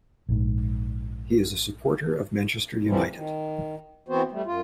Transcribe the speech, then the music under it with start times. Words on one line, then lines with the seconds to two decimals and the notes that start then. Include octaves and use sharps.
He is a supporter of Manchester United.
0.29 A#1 G#2
2.85 A2 C3 E3 F3 G3
3.14 D#3
4.08 E3 B3 C4 F#4 C5
4.31 G3 A3
4.46 F#2 F4